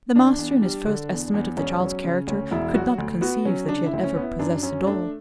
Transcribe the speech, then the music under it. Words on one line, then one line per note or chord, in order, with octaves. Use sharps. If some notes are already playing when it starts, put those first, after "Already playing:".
The master in his first estimate of the child's character could not conceive that she had ever possessed a doll.
E2 D4
E2
G3
D3
E2
E2
E1 C#4
F#3
C#3
D2 C#4
E1 E4
F#3 F#4
D2
B3 F#4
F#3 C#4
C#3 D4
E4
D2
C#4
B3
E4
F#2 D4
F#2 C#4
A3 D4